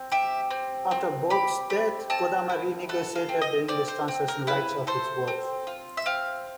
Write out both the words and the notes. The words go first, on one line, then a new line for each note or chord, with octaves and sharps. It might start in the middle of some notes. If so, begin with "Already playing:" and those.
After Borges's death, Kodama renegotiated the English translation rights of his works.
Already playing: C4
G4 E5
C4
C4
G4 B5
C4 B5
C4 A5
E4
A4 F#5
F5
C4
D#5
C4 D5
C5
C4
A#4
E4 B4
A4 C5
C4
F4
E5
C4 F5